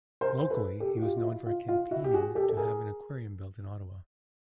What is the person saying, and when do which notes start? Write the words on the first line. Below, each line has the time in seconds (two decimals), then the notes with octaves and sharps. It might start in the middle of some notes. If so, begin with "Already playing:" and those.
Locally, he was known for campaigning to have an aquarium built in Ottawa.
0.21 A#4 C5
0.38 C5
0.50 A4 B4
0.80 G4 A4
0.96 F#4
1.02 F4 G4
1.17 F4
1.24 E4 F#4
1.46 F4
1.69 F4
1.91 E4 F#4
2.04 G4
2.13 F#4 G#4
2.35 G4 A4
2.49 A4
2.57 G#4 A#4